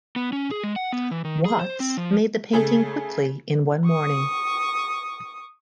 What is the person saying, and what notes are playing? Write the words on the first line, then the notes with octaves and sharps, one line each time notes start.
Watts made the painting quickly in one morning.
B3
C#4
G#4
G#3
F#5
B3
E3
D#3
G#4
C5
C4
F3
C#3 A3 G#4 A4
C#6 D#6